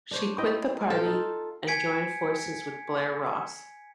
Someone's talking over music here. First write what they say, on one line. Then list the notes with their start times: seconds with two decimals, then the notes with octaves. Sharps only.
She quit the party, and joined forces with Blair Ross.
0.11 D4 C5 C#5
0.38 E4 D#5 G5
0.90 A4 F5 G5
1.05 D#4 F4
1.67 G#5 G#6 B6 C#7 D7